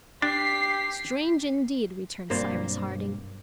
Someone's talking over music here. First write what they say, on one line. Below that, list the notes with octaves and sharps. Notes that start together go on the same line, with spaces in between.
"Strange indeed!" returned Cyrus Harding.
D4 G4 B6 C7
B1 G2 A#3 C4 C5 D5